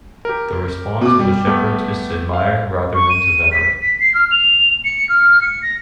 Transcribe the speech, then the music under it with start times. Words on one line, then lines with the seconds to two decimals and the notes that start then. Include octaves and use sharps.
The response of the shepherds is to admire rather than to venerate.
0.25 G4 A#4
1.01 B2 D6
1.19 G3
1.47 A3 B3 G4
2.33 F5
2.95 C#6
3.10 D#7
3.52 B6
3.82 B6
4.00 C7
4.14 F6
4.31 F7
4.85 C#7
5.09 F6
5.41 C#7
5.62 A#6